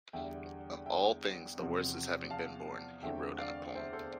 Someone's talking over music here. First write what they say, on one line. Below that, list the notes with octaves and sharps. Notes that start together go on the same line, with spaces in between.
"Of all things, the worst is having been born", he wrote in a poem.
E2 D3 G3 E5 G5
E5 G5
E2 C3 F3 C4
F5 A5
E2 D3 A3 C4 E5 G5
D5 F5
C5 E5
A4 C5